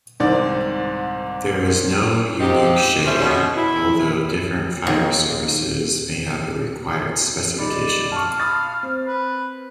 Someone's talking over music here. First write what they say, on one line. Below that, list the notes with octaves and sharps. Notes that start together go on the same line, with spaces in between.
There is no unique shade, although different fire services may have a required specification.
C2 G#2 D#3 C4 D5
G#2 C3 F3 C4 D#4 G4
D3 F3 G3 C#4 C5 E5
B2 C#4
E4
D#2
G3 D#4 D5 B5
F5 A5 C#6
B5 D#6 A6
C4
B4